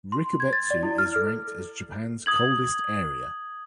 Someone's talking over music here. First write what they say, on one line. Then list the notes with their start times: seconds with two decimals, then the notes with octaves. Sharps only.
Rikubetsu is ranked as Japan's coldest area.
0.12 C6
0.40 G#6
0.53 A6
0.70 D5
0.83 E4
0.98 F6
1.16 A4
2.26 D#6 G#6 F#7